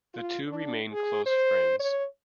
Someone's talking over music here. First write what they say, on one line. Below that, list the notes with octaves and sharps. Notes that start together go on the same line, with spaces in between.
The two remain close friends.
F4
D4
G#4
C5
C#5